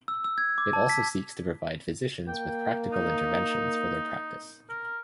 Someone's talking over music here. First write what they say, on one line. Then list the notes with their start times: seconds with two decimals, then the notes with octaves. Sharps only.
It also seeks to provide physicians with practical interventions for their practice.
0.08 E6
0.24 E6
0.38 G#6
0.58 D6
0.73 A5
0.89 B6
2.28 A#3 G5
2.92 D#4
4.69 A#4